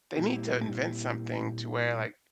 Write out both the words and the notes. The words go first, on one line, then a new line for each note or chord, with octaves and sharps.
They need to invent something to where, like,
A#2 G3 A#3 C4 E4 G4